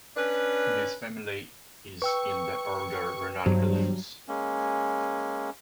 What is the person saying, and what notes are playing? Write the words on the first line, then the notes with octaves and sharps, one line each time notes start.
This family is in the order Ranunculales.
C#4 D4 B4
B4 G5 C#6 E6
G2 F#3 C5
G#3 A#3 C#4